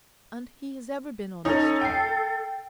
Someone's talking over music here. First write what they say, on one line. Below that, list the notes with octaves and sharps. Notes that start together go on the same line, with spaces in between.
And he has ever been honest.
C#4 D#4 A4
G5 C7